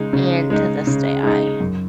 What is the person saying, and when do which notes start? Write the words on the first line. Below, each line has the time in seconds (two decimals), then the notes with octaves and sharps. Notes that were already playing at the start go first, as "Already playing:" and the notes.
And to this day, I
Already playing: C#3 G#3 D#4
0.13 C#3
0.50 G#3 D#4
0.87 C#3
1.23 G#3 D#4
1.60 F#2